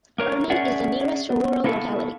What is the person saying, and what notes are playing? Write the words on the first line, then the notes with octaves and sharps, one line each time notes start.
Urman is the nearest rural locality.
A#3 A#4 C#5
C#4 G#4 D5 E5 F#5
B3
A#3 B3 E4 A4